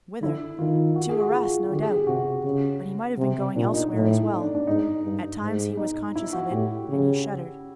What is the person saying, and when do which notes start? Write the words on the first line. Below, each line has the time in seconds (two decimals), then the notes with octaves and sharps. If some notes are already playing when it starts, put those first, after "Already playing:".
Whither? To Arras, no doubt; but he might have been going elsewhere as well. At times he was conscious of it, and he shuddered.
0.22 D3 E4
0.59 D#3 F4
0.96 F#4
1.09 G#4
1.21 F#4
1.34 F4
1.71 D3 G4
1.82 G#4
1.96 G4
2.07 C3 F#4
2.44 C#3
3.18 C3
3.56 A#2 D4
3.74 D#4
3.93 A2
4.30 D#4
4.41 D4
4.55 D4
4.67 G#2 D#4
5.04 G2
5.41 G#2
5.77 D#4
6.15 E4
6.33 F#4
6.52 A2 G4
6.89 C#3